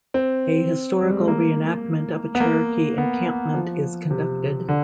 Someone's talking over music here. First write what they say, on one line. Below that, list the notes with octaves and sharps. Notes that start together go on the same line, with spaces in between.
A historical reenactment of a Cherokee encampment is conducted.
C4
G3
G#3
A3
A#3
B3
A#3
B3
F3
C3
D3